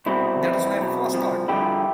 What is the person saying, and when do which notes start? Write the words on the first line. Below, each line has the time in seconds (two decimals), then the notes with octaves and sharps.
That was my first thought.
0.06 C2 B2 C4 E4
0.42 F2 E3
0.78 B1 B2
1.14 C2 C3 F3
1.48 G2 D3 F3 E4 G4